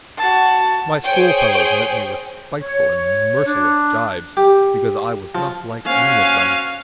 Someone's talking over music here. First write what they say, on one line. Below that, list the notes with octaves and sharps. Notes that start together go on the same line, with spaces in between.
My schoolfellows met me with spiteful and merciless jibes because I was not like any of them.
F#4 A5
G#4 C5 C#5 G5
C#5
D4
G4
F3
F3 A#3 C#4 F#4 F5 G#5 C#6